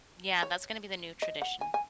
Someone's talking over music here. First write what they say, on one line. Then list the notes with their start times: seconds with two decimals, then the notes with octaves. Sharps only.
Yeah, that's gonna be the new tradition.
0.43 C#5
1.22 D#5
1.42 F#5
1.61 G#5
1.74 G#5